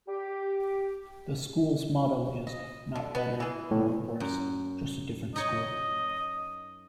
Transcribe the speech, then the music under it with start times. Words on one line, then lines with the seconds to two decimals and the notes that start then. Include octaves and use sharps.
The school's motto is "Not better, nor worse, just a different school".
0.08 G4
2.47 D#5
2.95 D3
3.15 B3 B4
3.40 E3 G#4
3.71 A2
4.20 F#2
5.36 D#4 C#5 D#5